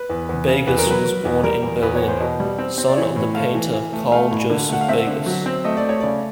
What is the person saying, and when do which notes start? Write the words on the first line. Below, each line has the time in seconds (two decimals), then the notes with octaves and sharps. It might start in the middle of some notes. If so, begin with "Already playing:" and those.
Begas was born in Berlin, son of the painter Carl Joseph Begas.
Already playing: B4
0.10 E2
0.29 E2
0.48 C#3
0.67 E2 B4
0.78 A#4
0.86 F#3 B4
1.05 F#3
1.25 E2
1.44 G3 A#4
1.63 E2
1.82 E2 B4
1.95 C#5
2.02 E2
2.08 C5
2.20 B2
2.40 G3
2.59 C4
2.78 C4
2.88 D5
2.97 E3 C#5
3.16 A2
3.35 A3 F5
3.54 E3
3.73 E3
3.93 A3
4.12 A3 F5
4.31 A2
4.50 D3
4.69 A3 F#5
4.81 F5
4.88 C4 E5
5.07 D3
5.26 F#3
5.46 C4
5.64 A3 D#5
5.77 D5
5.85 A3 C#5
6.00 C#3 D5